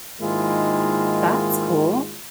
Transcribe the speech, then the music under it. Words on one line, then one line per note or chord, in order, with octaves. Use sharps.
That's cool.
G#2 D#3 G#3 A#3 E4 F4